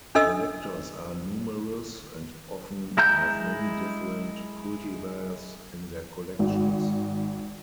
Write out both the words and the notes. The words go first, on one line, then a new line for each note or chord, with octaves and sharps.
Collectors are numerous and often have many different cultivars in their collections.
D4 A4 D#5 E6
G#3 E4 A#5 G6
G#1